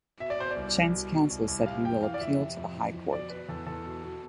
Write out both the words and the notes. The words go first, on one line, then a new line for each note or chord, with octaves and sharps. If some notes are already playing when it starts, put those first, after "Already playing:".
Chen's counsel said he will appeal to the High Court.
B2 E5
D5
B2 C5
D5
C2
C2
B2
B2
C2
C2
C3 F5
F2 G5
E3 F5
D5
F2 E5
C3
F2
E3
F2
B2 D5
B2 B4
E2 A4
E2 A4
B2
B2